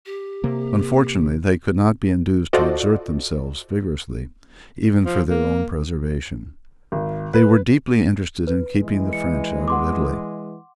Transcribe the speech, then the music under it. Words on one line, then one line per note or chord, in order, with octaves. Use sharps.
Unfortunately they could not be induced to exert themselves vigorously even for their own preservation. They were deeply interested in keeping the French out of Italy.
G4
C3 A#3
F4 F#4 A4 C5 D5 D#5
F3
A#3
G#1
B4
B4
E3 G#3
C#7
F#5 C6 D6